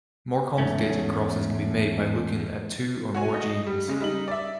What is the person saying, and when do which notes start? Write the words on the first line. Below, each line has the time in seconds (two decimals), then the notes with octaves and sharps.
More complicated crosses can be made by looking at two or more genes.
0.58 E2 G#2 A3 C#4
3.14 F#4 C#5 G#5
3.34 D#5
3.67 G3
3.88 C#3 G#3 C#4
4.01 G3 D#4 F#7
4.28 D5 E5